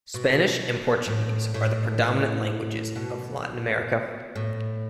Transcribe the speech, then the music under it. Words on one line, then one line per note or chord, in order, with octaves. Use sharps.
Spanish and Portuguese are the predominant languages of Latin America.
B2
A2
A2
B2
A2